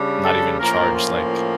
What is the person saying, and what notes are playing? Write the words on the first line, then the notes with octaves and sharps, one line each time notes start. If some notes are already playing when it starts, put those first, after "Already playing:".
not even charge, like
Already playing: C#3 G3 D4
A4
A2 F3 A#3 C#4 A#4
F4